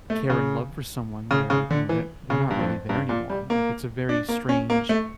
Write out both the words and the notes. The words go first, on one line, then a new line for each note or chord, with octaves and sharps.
care and love for someone where, you know, that they're not really there anymore? Like, it's a very strange
A3
C#3
C#3
C#3
D3
E3
C#3
G2
F2
G2
A#2
G3
A#3
D4
A#3
C#4
A#3
A3